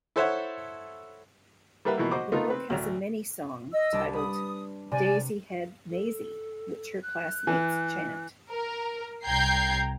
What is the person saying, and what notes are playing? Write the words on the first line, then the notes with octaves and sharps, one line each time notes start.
The book has a mini-song titled "Daisy-Head Mayzie" which her classmates chant.
E4 A4 C5 C#5 E5 F#5
G3 A#3 A#4 B4 E5 F#5
B2 E3 F3 A#3 E4
F#4 C5 D#5 B5 D6
A3 B3 D#4 F4 A#4
C4 B4
A1 D2
D#5 E6
C2 D4 A6
B4 D#6
C3 D5 G#5
A4
F#6
E3
A#4
C2 G5 A#5 G6 G#6 C7